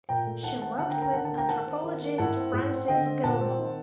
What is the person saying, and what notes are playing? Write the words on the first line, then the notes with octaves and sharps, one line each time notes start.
She worked with anthropologist Frances Gillmor.
A#2 G5 A#5
A3
D#3 F#5 A5
C4 F#5 A5
D3 F#5 A5
G5 A#5
A#3
G5 A#5
D3 F#5 A5
F#5 A5
A#3
G5 A#5
D#3 F#5 A5
C4
D#3
A#3
A2 F#5 A5
C4
A2
C4
D3 D#5 G5
C4
A#2 F#5 A5
C4
D#3